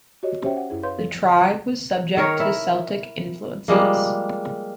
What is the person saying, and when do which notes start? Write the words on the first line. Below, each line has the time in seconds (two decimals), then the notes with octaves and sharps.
The tribe was subject to Celtic influences.
0.23 F#4 G4 C#5 D#5
0.42 C#4 G4 C5 C#5 E5 G5
0.56 F#5
0.70 F#2 E4 G#4
0.83 B4 C#5 F5 C6 G6
0.99 F3
2.17 D#3 A#4 C#5
2.40 E4
3.68 F3 G3 G#3 A#3